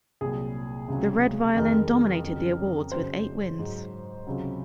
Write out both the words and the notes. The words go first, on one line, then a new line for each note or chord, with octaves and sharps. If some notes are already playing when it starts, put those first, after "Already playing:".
"The Red Violin" dominated the awards, with eight wins.
C2 A#2 F#3 G#4
C#2 C3 F#3
F2 D#3 G#3 A#4
F2 C#3 F#3
F#2 C#3 F#3 C5
G#2 F#3
C#2 C3 F#3